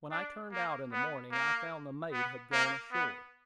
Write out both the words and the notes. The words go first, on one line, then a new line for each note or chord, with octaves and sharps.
When I turned out in the morning, I found the mate had gone ashore.
D4
A#3
B3
A#3
B3
A#3
B3